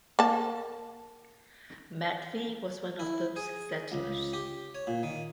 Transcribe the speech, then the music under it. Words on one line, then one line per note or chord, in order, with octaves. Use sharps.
Matvey was one of those settlers.
A#3 A5
E4
G#4
C#2
G4
C#5
A#2
D#3